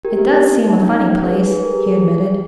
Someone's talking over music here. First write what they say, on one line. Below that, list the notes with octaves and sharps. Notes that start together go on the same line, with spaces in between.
"It does seem a funny place," he admitted.
G4 A#4
B3
B3
D#4
D#4
C#4
D#4
G#4 B4
G#4 B4
G4 A#4
G#4